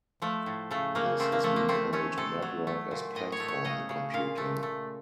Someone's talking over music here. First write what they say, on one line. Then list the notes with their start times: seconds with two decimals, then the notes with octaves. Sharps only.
This has been called "network as platform" computing.
0.22 F3 A3
0.46 A2
0.71 C#3 A3
0.95 C#3 A#3
1.19 A3 C4
1.32 A#3
1.44 F3 A3
1.56 A#3
1.69 A3 C4
1.93 A3 C#4
2.18 C3 A4
2.42 F#3
2.67 A3
2.91 A#2
3.15 A2 D#5
3.32 C#5
3.40 A3
3.48 C#5
3.65 C#3 D#5
3.89 C#3
4.13 A#2 F5
4.38 A3
4.63 A3